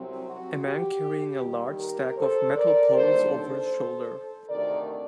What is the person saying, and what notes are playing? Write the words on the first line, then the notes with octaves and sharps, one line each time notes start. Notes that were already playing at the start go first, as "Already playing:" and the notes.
A man carrying a large stack of metal poles over his shoulder.
Already playing: C2 C3 F#3 C4
F#4
G4
D#2 D#3 G3
G4 A#4
A4 C5
A#4 D5
D#2 D3 G3 D4 A4 C5
A4 C5
D2 C3 D#3 A3 A#4 D5